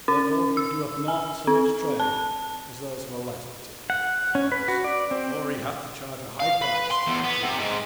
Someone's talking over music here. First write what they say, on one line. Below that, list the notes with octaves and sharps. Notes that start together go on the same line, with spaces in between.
Therefore he doeth not so much trade as those who are less particular with their wares, for he hath to charge a high price to be able to live.
C#4
E6
G#5
C4
A5
F#5
C#4
B4
F#4
D5
C4
F5
B4
C6
E2
B3
C3
G#2